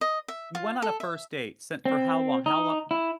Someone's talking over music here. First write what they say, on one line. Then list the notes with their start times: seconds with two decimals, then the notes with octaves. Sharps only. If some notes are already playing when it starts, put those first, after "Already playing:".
you went on a first date sent for how long? How lon
0.01 D#5
0.28 E5
0.55 F4
0.82 A4
1.00 E5
1.85 C4
2.46 D#4
2.91 E4